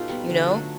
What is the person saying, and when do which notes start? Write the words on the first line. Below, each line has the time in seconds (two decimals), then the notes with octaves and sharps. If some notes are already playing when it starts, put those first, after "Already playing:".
you know?
Already playing: B2 D#4 F4 G4 A4
0.10 G3 B3
0.30 D3
0.51 F#3 A3